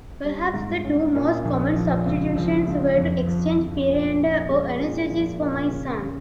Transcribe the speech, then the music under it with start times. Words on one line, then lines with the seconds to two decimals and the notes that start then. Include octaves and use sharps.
Perhaps the two most common substitutions were to exchange Periander or Anacharsis for Myson.
0.24 G3
0.54 G#2
0.85 C#4
1.15 A#2
1.45 A#1
1.76 F3
2.06 C#2
2.36 F3
2.67 C#2
2.97 F2
3.27 F3
3.58 F2
3.89 A#2
4.19 A#2
4.49 G#3
4.79 A#2
5.10 F3
5.41 A#2
5.71 C#3
6.01 C#3